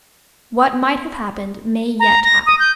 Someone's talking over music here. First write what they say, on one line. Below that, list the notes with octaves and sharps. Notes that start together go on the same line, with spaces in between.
What might have happened may yet happen.
A#5
A#6
D#6
G6